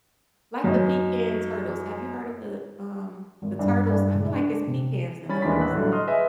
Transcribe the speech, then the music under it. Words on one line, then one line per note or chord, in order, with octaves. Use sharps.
like the pecan turtles, have you heard of the, um, the Turtles? I feel like it's pecans in those.
F#2 D#4
G#1
G2
G2
C#2
D4
C3
G3 C#4 B5 A6
D#2 E3 G#3 D4 C6 B6
A1 F#6
A2 D3 F#3 G3
D#5 C6 D#6 F6
G#4 B4 D#5 E5 G#5